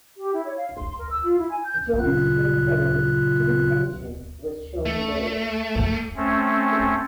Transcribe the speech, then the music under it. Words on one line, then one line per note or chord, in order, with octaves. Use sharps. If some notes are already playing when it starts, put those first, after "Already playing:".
John Stringfellow's steam engine was shown there.
G4
E4
C#5
F5
C6
A#4
E6
F4
E4
G#5
G6
A#2 C#3 F#3 F4 F#6
A3
A3 C4 C#4